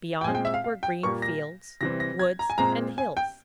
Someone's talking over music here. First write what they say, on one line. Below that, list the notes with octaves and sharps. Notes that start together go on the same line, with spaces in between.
Beyond were green fields, woods, and hills.
G5
A#2 G#3 C4 G#5
G5
E5
F5
F5
G5
A#2 G3 A#3 C#6
A#6
C3 E3 G3 C4 A#6
A#6
G#6
A#5
G#5
A#2 G#3 C4 A#5
G#5
G5